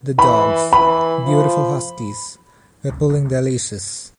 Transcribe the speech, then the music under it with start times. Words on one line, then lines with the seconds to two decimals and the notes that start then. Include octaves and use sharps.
The dogs, beautiful Huskies, were pulling their leashes.
0.19 E3 B5
0.72 E3 B5
1.26 F3